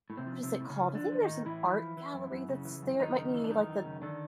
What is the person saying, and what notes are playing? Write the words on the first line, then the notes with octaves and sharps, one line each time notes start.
what is it called? I think there's an art gallery that's there, it might be, like, the
A2
C3 C4
F3
C3 F3 C4
A2
C#3 C#4
A2
D3 F3 D4
F3
D#3 D#4
A2
A2 E3 E4
F3
F3
E3
F#2
F#2
C#3
E3
F#2
F#2 D#3 D#4
C#3
E3
D4
F#2 D#3 D#4
F#2
C#3
D3 D#3 D4